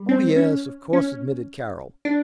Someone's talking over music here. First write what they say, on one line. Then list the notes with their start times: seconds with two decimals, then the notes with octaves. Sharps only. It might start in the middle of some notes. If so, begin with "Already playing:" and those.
"Oh, yes, of course!" admitted Carroll.
Already playing: G3
0.09 C4
0.36 C#4
0.93 C#4
2.05 D4